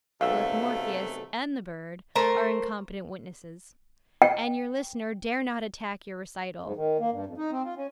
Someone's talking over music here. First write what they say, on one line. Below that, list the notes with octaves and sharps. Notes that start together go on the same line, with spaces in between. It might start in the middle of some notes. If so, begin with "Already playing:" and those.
Both Morpheus and the bird are incompetent witnesses; and your listener dare not attack your recital.
B1 F#2 C3 A3 F5 E6
A3 A#4 C5
G5
G#2
D#3
A#3
G2
F2
D#4
C4
F4
C#4